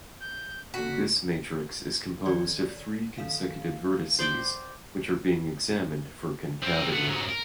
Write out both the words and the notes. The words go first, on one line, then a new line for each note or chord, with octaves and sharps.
This matrix is composed of three consecutive vertices which are being examined for concavity.
G6
D3 A#3 F#4 B6
D#3 C#5 D5
D#3 F5
C5 D5 G5
C4 A#4
A3 B3
G#2 F#3
A#4